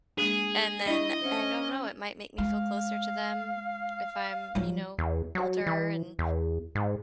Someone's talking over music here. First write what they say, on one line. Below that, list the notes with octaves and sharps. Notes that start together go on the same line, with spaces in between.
and then, I don't know, it might make me feel closer to them if I'm, you know, older and
G#3 A#3 D4 G#4
D4 E4 D#5 C#6
C#4 C5 E5 F#5
G#3 F5
F3 F#3
E2
F#3
E3
E2
G#2